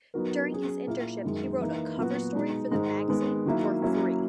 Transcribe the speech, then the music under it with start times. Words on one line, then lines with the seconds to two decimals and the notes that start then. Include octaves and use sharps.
During his internship he wrote a cover story for the magazine for free.
0.14 F#3 B3 D#4 F#4 A#4
0.50 F#3 C#4 G#4
0.87 A#2 A#3 E4 A#4
1.24 F#2 D#3 G#3
1.61 E3 A#3 D#4
1.97 A#2 F#3 B3 F#4
2.35 B2 G#3 D#4
2.71 G#2 D#3 G#3 D#4
3.08 D#3 G#3 B3
3.46 D#3 F#3 A#3 E4
3.82 F#3 A#3 C#4 E4